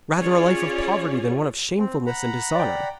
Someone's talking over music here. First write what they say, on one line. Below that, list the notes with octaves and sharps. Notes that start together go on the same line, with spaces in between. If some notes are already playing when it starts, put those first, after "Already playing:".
Rather a life of poverty than one of shamefulness and dishonour.
C#4 F4 G#4 C#5 D5
C4
F#5 A#5 B5
D5 G5